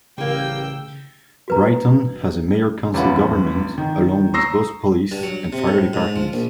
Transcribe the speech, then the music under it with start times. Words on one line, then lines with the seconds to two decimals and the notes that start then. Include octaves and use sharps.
Brighton has a Mayor-council government, along with both Police, and Fire Departments.
0.18 A1 C#3 G3 A#3 G5 E6
1.48 F#4 B4 A#5
2.94 F1 E2 C#4 F4 F#5 B5
3.78 D#3
4.34 A#5 C#6 D#6 E6 A#6 C7
5.12 G2
5.23 F#3
5.53 C3
5.67 A2
5.93 G#2
6.16 F3
6.33 A#1